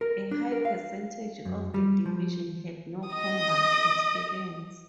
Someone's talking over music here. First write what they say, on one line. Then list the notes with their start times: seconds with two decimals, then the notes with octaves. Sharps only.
A high percentage of the division had no combat experience.
0.01 A#4
0.31 D4
0.52 A#4
0.65 F5
1.45 F#2
1.74 G3
2.06 F3
3.09 D#5 D#6